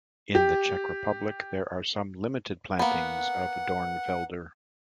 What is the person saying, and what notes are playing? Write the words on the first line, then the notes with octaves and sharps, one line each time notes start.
In the Czech Republic, there are some limited plantings of Dornfelder.
G4
A#3 B3 F#5